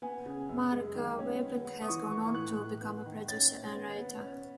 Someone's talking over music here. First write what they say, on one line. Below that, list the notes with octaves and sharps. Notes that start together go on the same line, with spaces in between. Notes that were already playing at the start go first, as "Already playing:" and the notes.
Mark Weinberg has gone on to become a producer and writer.
B3 G#5
C#3
F#2
G#3
D#3
C#4
B3
B3
D#6
E3 C#6
E3 C#6
A2 F#6
A2
B3
D#3
C#4 A6
C#4
B3
B3
C#4